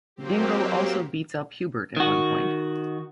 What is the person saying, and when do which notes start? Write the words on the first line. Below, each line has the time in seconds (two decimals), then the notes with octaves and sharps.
Dingle also beats up Hubert at one point.
0.16 F#3 A#3 C4 G4
1.97 D#3 F#4